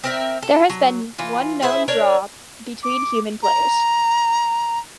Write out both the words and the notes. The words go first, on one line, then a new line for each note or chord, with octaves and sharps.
There has been one known draw between human players.
C4 A#4 E5
A4
F#3
E3 F4
E4 G#4 C5 E5
D4 A#4 C#5
D6
A#5